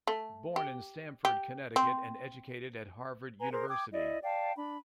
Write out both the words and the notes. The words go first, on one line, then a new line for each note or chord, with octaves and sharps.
Born in Stamford, Connecticut, and educated at Harvard University.
A3
G4
G4
C4
B4 G#5 A#5
G#4 A#4 C5
G5 D6 D#6 G#6
E4 D5 D#5
D5 F5 G5 A5
D4 B5